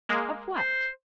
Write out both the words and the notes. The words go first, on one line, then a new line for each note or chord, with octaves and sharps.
"Of what?"
G#3 A#3
C5